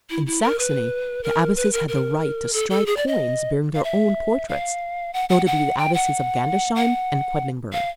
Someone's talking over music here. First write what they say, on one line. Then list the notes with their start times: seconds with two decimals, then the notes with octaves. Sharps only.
In Saxony, the abbesses had the right to strike coins bearing their own portraits, notably the abbesses of Gandersheim and Quedlinburg.
0.10 E4
0.26 E4
0.43 A#4
0.59 B4
1.23 A#4
1.56 B4
1.73 A#4
1.88 A#4
2.53 A4
2.70 A4
2.86 G#4
2.97 D5
3.07 D#5
3.75 F5
3.84 E5
4.48 F5
5.14 F#5
5.29 F#5
5.46 F#5
5.78 G5
5.94 F#5
6.76 F#5
7.73 F5